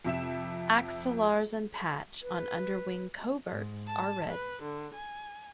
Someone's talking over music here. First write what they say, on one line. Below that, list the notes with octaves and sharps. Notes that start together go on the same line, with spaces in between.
Axillars and patch on underwing coverts are red.
F2 C3 E5 E7
B4
G#2
A5
B4
D3
G#5